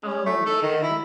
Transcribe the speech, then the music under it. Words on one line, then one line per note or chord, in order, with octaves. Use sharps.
Oh, man.
C#4
A3
A4
D#3
E4